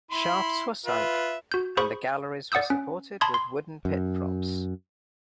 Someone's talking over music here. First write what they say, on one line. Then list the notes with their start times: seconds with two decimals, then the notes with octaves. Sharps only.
Shafts were sunk, and the galleries were supported with wooden pit-props.
0.11 E4 B5 C6
0.86 F4 B4 E5
1.52 F#4 G6
1.77 G#4 C5 B5 C#6
2.52 D5 F#5 D#6 E6 G6
2.70 C#4
3.21 A5 B5 C6 D#6 G#6
3.34 C6
3.85 F#2